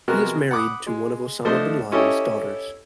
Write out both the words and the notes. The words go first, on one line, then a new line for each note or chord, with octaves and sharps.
He is married to one of Osama bin Laden's daughters.
C3 G#3 B3 F#4 A#4
F#5 B5 D6 D#6
G#3
F3 A3 D4 C5 D#5
C#4 E4 G4 A4 C#5 D#5